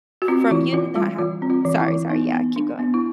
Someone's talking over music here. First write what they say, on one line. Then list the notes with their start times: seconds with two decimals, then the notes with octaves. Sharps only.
from you not havi Sorry, sorry, yeah, keep going.
0.22 F#4
0.28 C4 F4
0.51 E3 E4
0.73 E3 F4
0.96 G3 F4
1.18 E3 F4
1.42 C4
1.50 F4
1.65 E3
1.80 E4
1.88 E3
2.10 B3 D#4
2.33 B3
2.56 D4
2.79 B3
2.94 E4